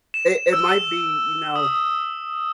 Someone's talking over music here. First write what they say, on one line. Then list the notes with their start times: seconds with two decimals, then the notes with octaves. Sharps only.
It it might be, you know
0.14 E7
0.53 E6
1.56 D#6